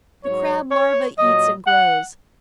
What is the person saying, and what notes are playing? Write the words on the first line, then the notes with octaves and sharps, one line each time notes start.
The Crab larva eats and grows.
G#2 F#3 C#5
C#5
A#2 F#3 D#5
F#5